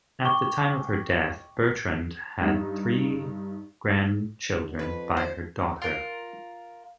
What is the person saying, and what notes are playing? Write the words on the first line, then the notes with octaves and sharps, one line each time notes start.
At the time of her death, Bertrand had three grandchildren by her daughter.
G5 C#6 D6 G7
G2 D#4
D3
F2 B4
C5
F4 A#4